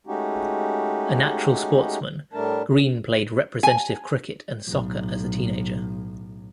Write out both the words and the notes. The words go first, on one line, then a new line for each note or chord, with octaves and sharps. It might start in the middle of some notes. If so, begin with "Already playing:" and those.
A natural sportsman, Green played representative cricket and soccer as a teenager.
G#3 A3 C#4 D#4 F#4 G4
A2 G3 A3 D4 A#4 A5
F#2 A#2 G#4
G#5
B1 A2